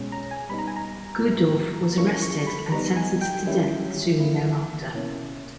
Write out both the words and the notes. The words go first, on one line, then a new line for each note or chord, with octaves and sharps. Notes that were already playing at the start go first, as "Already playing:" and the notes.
Guddorf was arrested and sentenced to death soon thereafter.
Already playing: B2 G#3 C#4
A#5
G#5
G3 B3 D#4 B5
A#5
G#5
A#5
G3 A#3 E4
G3 A#3 C#4 E4 C#6
C#6
B5
G3 B3 D#4 A#5
G#5
G5
D#3 G3 C#4 E4
E3 A#3 E4
B2 A#3 C#4 E4